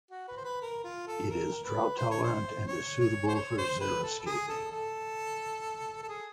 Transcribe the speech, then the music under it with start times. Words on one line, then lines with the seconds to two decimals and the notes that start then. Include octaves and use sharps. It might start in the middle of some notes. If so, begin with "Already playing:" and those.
It is drought-tolerant and is suitable for xeriscaping.
0.11 F#4
0.28 B4
0.37 C5
0.45 B4
0.62 A#4
0.84 F4
1.07 A4
1.30 A#4
1.64 B4
1.98 C5
2.11 C#5
2.23 C5
2.67 C#5
3.00 C#5
3.27 C5
3.35 C#5
3.58 C5
3.81 B4
4.03 A4
4.20 A4
4.26 G#4
4.48 A4
4.71 A4
6.03 A4
6.08 G#4